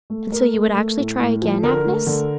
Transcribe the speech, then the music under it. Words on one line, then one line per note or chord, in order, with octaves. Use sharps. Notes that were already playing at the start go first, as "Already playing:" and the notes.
'And so you would actually try again, Agnes?'
A3
A3 A#4
A3
A3
A2
A2
F3
D3 A#4
A3
D3